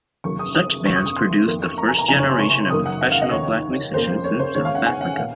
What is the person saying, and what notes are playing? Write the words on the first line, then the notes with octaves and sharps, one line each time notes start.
Such bands produced the first generation of professional black musicians in South Africa.
F1 D#2 C#3 F#3 A#3 C#6
D#6
D#6
F1 F2 C#3 F3 C#6
D#6
D#6
C6
F2 D#3 A#3
C#6
A#5
G#5
A#5
F#1 F2 C3 D#3 G#5
C#5
C6
C#6
F#1 F#2 D#3 F#3 A#3 D#6
F#5
F#5
F5
D#5
F1 D#2 D#3 C#5
F2 C#3 F3 A#3 C5
C#5
C5
D#2 C#3 G#3 C#5
F5
F#5
G#5
F#5
A#2 F5